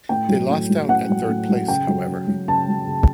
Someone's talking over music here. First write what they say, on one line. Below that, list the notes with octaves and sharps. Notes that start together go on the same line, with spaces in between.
They lost out at third place however.
A2 G5
F#3
A2
F#3
A2 F#5
F#3
A2
F#3
C#3 G5
F#3
C#3
F#3
C#3 A5
F#3
C#3